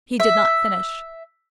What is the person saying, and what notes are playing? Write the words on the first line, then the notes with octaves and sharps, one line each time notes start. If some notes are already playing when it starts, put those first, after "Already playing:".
He did not finish.
E5